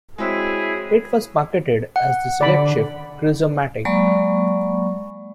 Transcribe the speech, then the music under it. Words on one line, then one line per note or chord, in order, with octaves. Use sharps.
It was marketed as the "SelectShift Cruise-O-Matic".
G#3 C4 E4 F#4 G#4 C#5 E6
F#5
D3 D5 B5
F#3 G#3 A#3 D5 B5 C#6